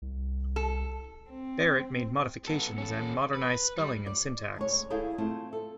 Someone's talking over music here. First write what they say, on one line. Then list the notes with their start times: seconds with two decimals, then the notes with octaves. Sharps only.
Barrett made modifications and modernized spelling and syntax.
0.02 C2
0.56 A4
1.30 C4
2.48 B3 A4
2.78 C#4 A4
3.34 B4
3.78 G3
4.06 D5
4.56 D2 G#3 C#5
4.90 E4 G#4 A4 F5 G5
5.18 A3 C4 F4 A5
5.53 A4